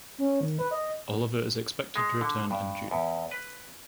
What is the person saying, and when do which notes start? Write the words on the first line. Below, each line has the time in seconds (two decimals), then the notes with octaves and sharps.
Olivier is expected to return in June.
0.18 C#4
0.41 D#3
0.59 B4
0.71 D#5
1.96 G#3
2.21 D3
2.51 G2
2.91 E2
3.31 B4